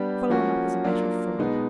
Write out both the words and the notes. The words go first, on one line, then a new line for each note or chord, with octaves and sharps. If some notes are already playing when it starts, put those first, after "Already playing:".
Follow him up as a matter of form.
Already playing: G3 B3 D4 G4
F3 A#3 C#4 F#4
F#3 A#3 D4 F4
B2 G#3 B3 D#4